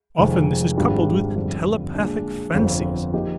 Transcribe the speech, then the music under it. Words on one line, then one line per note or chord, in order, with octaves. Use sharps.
Often this is coupled with telepathic fancies.
F1 F2 D#3 G#3
G#1 G#2 G3 D4 F4
G1 F2 D3 G3
A#2 G#3 D4
G1 F2 D3
F3 A#3 D#4 G4